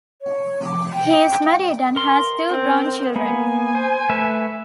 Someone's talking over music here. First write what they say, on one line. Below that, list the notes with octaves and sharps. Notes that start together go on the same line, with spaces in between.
He is married and has two grown children.
C#5
D6
G5
A#4 C6
C4
A#3 B3 G#5
C5
A3 B4 E5